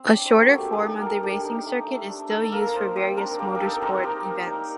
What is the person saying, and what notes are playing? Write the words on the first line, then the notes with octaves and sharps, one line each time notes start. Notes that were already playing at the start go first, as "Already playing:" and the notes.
A shorter form of the racing circuit is still used for various motorsport events.
Already playing: C4
D4 D5
C5
A#3 A4
F#4
A3 G4
G4
D#4
A4
A3 A#4
D4 G4
D#4
A3
A3
D4
D#4 A4
A#3 A#4
D#4 C5
C4 D5
D4 A#4
A#3 G4
A#4
D#4 A4
C4 A#4
D#4 G4
A#3
D#4 D5